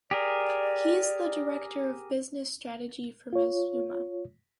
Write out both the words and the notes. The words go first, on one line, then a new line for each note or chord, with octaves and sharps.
He is the Director of Business Strategy for Mazzuma.
G4 G#4 A#4 D5
F4 C#5